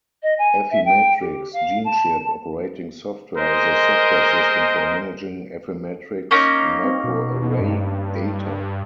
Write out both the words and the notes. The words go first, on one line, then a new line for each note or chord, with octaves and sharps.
Affymetrix GeneChip Operating Software is a software system for managing Affymetrix microarray data.
D#5
G#5
E5
G5
G4
F5
A5
G#3 A#4 C5 D#5
A#3 C#4 D#4
C4
B2
G2